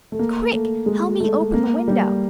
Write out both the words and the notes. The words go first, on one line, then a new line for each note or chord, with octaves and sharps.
"Quick, help me open the window."
A3
A#3
A3
G#3
A3
A#3
G3